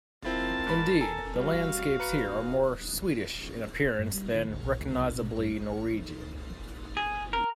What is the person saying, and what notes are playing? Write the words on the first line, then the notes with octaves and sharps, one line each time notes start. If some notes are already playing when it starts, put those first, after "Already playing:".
Indeed, the landscapes here are more Swedish in appearance than recognisably Norwegian.
C4 E4 F4 A#4 A5
G#2 B5
A4 G#5 A#5
G3 F#4 F5
B4 A#5 C#7
G2
G3
D#3
D2
A#1
D2
C2
B2
G2
G#4
A#4